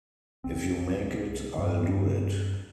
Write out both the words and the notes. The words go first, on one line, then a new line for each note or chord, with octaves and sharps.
If you make it, I'll do it'.
C2 C4
G2 G3 C4